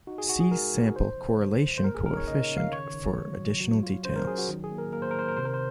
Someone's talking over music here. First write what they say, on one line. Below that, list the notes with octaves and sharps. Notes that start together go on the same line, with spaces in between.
See sample correlation coefficient for additional details.
D#4 F#4
G#4
D#4 F#4
G#4
G#3 A#4
D#4
C#3 C5
F3
C#3
C#3
C5
A#3 A#4
G#4
D#4 A#4
C#5
C#3 D#5
C#3
F5
D#3 C#5
D#3
D#3
F#3
F#3
F4
C#4 C5
A#4
F#3 G#4
F#4
D#3
G#4
A#3
A#4
A#3 A#4
C5
A#4
D#3 C5
A#4
C3 C5
A#4
C5